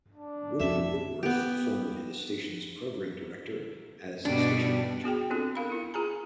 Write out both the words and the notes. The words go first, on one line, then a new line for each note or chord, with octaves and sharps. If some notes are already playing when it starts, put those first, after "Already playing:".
"Woody" Woodworth, formerly the station's program director, as station manager.
D4
F2 F#4 E5
B3 G4
G2 B2 G3 D4
B3 F#4 G#4 G5
B3 C4 D4 F4 A4
A#4 F5 B5
E4 F4
F4 G#4 G#5 A#5